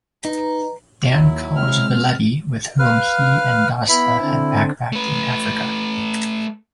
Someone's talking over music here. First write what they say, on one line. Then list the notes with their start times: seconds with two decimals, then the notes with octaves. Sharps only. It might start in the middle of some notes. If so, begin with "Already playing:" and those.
Dan calls Villetti, with whom he and Dassa had backpacked in Africa.
0.25 D#4 B4 A#5
1.12 D#2 F#3 E4
1.57 G#3 C4 F6
2.79 B4 F5 F6
3.89 B3 E4 B5
4.20 D3 C4
4.92 A3 B4